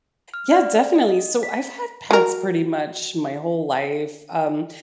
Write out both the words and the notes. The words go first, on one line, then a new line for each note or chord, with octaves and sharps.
Yeah, definitely. So I've had pets pretty much my whole life. Um,
F6
D5
D#5
B6
F#3 A#4